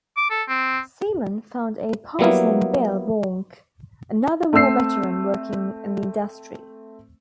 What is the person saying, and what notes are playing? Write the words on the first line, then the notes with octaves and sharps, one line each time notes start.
Seaman found a partner in Bill Warnke, another war veteran working in the industry.
D6
A4
C4
F#3 G3 A#3 B3 E4
A3 C4 A4 E6 C7